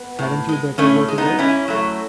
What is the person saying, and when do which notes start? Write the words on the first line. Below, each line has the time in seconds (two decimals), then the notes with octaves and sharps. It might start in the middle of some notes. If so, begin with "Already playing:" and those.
Hadn't you better go to bed?
Already playing: B3
0.19 A2
0.49 G#3
0.78 A2 A3 C#4
1.08 G#3
1.18 B3 D#4
1.38 G#2 C#4 E4
1.68 F#3 A3